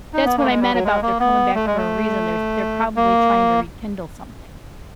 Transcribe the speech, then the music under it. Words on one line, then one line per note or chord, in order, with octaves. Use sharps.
that's what I meant about they're coming back for a reason. They're they're probably trying to rekindle something.
D#4
B3
A#3
A3
G#3
G3
F#3
G#3
A#3
B3
A3
G#3
A3
A#3